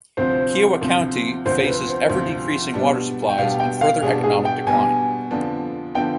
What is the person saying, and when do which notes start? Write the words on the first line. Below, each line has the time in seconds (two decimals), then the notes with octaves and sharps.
Kiowa County faces ever-decreasing water supplies and further economic decline.
0.17 D2 C3 F3 C4 C5
0.82 D2 C3 F3 C4
1.45 D2 C3 F3 C4 C5
1.67 B4
1.89 C5
2.10 D2 C3 F3 C4
2.74 B2 G3 B3 D4
3.29 G5
3.38 B2 G3 B3 D4 F5
3.60 G5
3.81 F5
4.02 B2 G3 B3 D4 G#4
4.24 G#4
4.45 G5
4.67 B2 G3 B3 D4 G#5
5.31 F2 D3 F3 B3 D4
5.95 D3 F3 B3 D4 G5